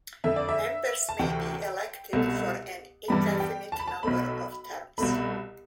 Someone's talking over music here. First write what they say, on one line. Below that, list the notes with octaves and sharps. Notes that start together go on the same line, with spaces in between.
Members may be elected for an indefinite number of terms.
F2 D3 A3 E5
D5
E5
A5
D2 C3 E3 G5
C2 B2 A3
G2 E3 G3 B3 B5
G5
A5
B5
A5
B1 B2 A3 B5
C2 B2 A3 B5